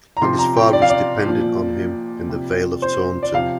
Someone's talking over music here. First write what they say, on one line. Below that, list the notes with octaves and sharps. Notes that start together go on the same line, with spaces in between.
And his father is dependent on him in the Vale of Taunton.
A#5
C3 F3 C6
A#5
G5
D5
F5
D5
A#2 F3
C3 F3
C5
D5
C3 F3 F5